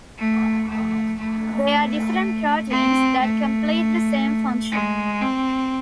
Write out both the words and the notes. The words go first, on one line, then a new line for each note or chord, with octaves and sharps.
They are different proteins that complete the same function.
A3
A3
A3
C4
A3
G#3
C4